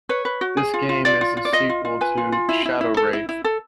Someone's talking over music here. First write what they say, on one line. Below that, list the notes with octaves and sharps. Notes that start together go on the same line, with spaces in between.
This game is a sequel to "ShadowWraith".
B4 C#5
B4
F#4
G#4
F4
F4
F4 D5
F4
F4
D5
F4 D#5
F4
F4
B4 G#5
F4
F4
E4
E4
E4
A4
E4
E4
A4